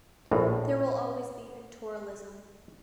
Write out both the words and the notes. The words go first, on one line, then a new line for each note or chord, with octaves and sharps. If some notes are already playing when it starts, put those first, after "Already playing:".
There will always be pictorialism.
A#1 A2